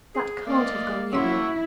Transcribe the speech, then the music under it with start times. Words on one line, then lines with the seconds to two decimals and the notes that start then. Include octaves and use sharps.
That can't have gone yellow.'
0.15 G#4
0.47 A#3 D5 D#5 F5
1.13 C#3 E4 F#4 C6 C#6 E6